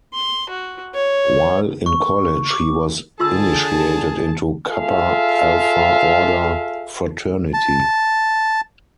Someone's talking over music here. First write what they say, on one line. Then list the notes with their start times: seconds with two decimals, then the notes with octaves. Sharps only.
While in college he was initiated into Kappa Alpha Order fraternity.
0.13 C6
0.49 F#4
0.94 C#5
1.86 C#6
2.51 D6
3.20 D3 F4 G#4 A5 C6 E6
4.68 F4 G#4 A4 E5 F5
7.54 A5